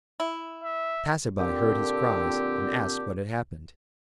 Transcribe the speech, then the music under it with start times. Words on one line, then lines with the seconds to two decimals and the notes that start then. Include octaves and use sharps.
A passerby heard his cries and asked what had happened.
0.20 E4
0.64 E5
1.38 A#2 D3 C4 G4